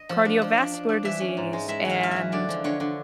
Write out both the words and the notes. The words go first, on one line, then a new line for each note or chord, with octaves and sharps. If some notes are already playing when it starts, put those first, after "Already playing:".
cardiovascular disease and
Already playing: D#5
F3
D4
F3
D4
D4
D4
E3 E5
C#4
G#2
G#3
G#3 E5
E3 F5
G#3 F5
E5
E3
D3 D5
F3
D3 C#5
D3